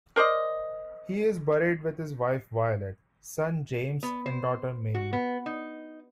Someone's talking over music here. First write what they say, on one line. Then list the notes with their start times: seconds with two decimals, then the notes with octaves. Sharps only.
He is buried with his wife Violet, son James and daughter Mary.
0.16 A#4 C5 D5 D#5
4.03 B3
4.26 C5
4.94 F#4
5.13 B3
5.46 D#4